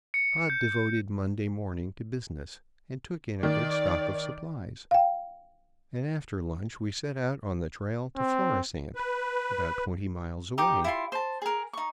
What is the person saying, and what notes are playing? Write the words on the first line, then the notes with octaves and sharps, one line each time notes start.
Pod devoted Monday morning to business, and took in a good stock of supplies, and after lunch we set out on the trail to Florisant, about twenty miles away.
C#7
G6
D#3 D5
F5 G5
C4
B4
D#4 G4 D6
E4 F4 C6
C5 A5
G#4 A#4
D#4 C#6